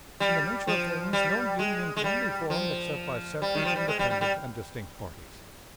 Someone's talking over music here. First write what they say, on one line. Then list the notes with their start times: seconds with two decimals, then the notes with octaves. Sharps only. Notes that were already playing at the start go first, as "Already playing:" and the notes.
In the nature of things, no union can be formed except by separate, independent, and distinct parties.
0.20 G3
0.67 F3
1.13 G3
1.59 G#3
1.97 G#3
2.04 G3
2.50 F3
3.42 G3
3.55 D#3
3.65 F3
3.76 G3
3.88 G#3
3.99 G3
4.10 G3
4.21 G3